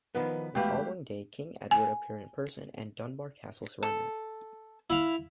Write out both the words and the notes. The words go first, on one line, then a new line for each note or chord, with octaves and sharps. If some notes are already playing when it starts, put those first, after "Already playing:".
The following day King Edward appeared in person and Dunbar castle surrendered.
D#3 F3 B3 B4
E2 G#3 A3 F#4 G4 B4 F5
G#5
A4
E4 F5